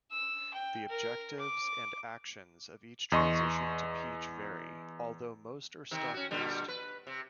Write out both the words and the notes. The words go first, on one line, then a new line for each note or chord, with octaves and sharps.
The objectives and actions of each transition to Peach vary, although most are stealth-based.
E6
G5
A#4
D6
E2 D#5 C6 C#6
C3 D#3
C#4 F#4
A#2 D3 G3
B4
C3